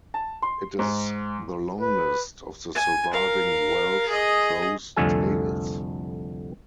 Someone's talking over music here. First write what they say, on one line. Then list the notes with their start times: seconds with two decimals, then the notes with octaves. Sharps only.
It is the longest of the surviving Welsh prose tales.
0.14 A5
0.42 C6
0.79 G#2
1.81 B4
2.75 G#5
3.12 A#4 F5
4.09 G#4 D#5
4.96 C2 F2 D3 A3 A4 G#5